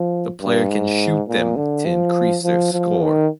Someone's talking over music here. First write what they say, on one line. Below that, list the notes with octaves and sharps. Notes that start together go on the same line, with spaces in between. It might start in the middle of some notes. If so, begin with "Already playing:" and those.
The player can shoot them to increase their score.
Already playing: F3
G2
G#2
A#2
D3
F3
F3
F3
D#3